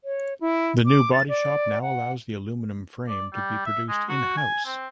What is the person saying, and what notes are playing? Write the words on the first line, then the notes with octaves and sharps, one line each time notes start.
The new body shop now allows the aluminum frame to be produced in-house.
C#5
E4
D6
A6
D5
F#5
D5
G3
E5
G#3
F#4
G#5
C4